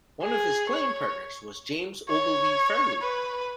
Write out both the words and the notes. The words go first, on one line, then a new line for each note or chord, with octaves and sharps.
One of his playing partners was James Ogilvie Fairlie.
G#4
C#5
C#5
B4